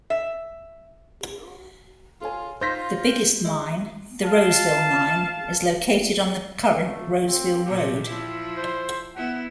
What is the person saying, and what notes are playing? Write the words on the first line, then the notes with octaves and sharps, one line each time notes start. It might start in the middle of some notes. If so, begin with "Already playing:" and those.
The biggest mine, The Roseville Mine, is located on the current Roseville Road.
E5
F4 A4 C#5 G#5
D#4 F4 C5 G6 A#6 B6
G#3 E4
F5 A5
A3
C4
A#2 F3 F#3 G4
F3 E4
C5
B3 E4 F#5